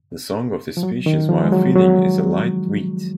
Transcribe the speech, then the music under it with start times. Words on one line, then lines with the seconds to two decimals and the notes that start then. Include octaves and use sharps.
The song of this species while feeding is a light "weet".
0.77 F3
0.83 F#3
1.06 D#3
1.29 F3
1.44 G#3
1.52 F#3
1.75 F#3